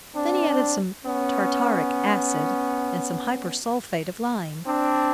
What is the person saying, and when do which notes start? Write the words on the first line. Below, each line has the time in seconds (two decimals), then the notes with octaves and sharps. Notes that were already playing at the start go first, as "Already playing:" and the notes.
Then he added some tartaric acid and some hypersulphate of lime.
0.14 C4 D4
1.05 B3 C#4
4.66 C4 D4